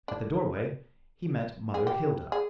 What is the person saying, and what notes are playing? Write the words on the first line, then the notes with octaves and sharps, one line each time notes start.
At the doorway he met Mother Hilda.
D4
G#4
G4
G#4